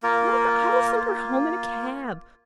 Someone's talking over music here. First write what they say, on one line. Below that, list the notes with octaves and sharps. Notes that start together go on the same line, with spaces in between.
'Oh, but I will send her home in a cab.
A#3 F4 A#4
A#3 F4